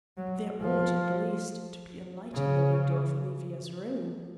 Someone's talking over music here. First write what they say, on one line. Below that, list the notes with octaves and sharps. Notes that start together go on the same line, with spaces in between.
There ought, at least, to be a light in the window of Olivia's room.
F#3
F3
C#3